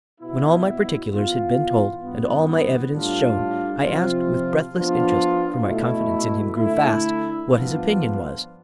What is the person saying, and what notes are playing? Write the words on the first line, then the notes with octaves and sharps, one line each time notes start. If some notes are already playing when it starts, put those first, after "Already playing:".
When all my particulars had been told, and all my evidence shown, I asked with breathless interest--for my confidence in him grew fast--what his opinion was.
B2 B3 E4
E3 B3 F4
G2 E3 B3
A2 G3 D4 F4
C3 F3 C4 F4
F3 B3 D4 F4
B2 A3 E4
D3 A3 E4
G2 F3 B3 D4 F4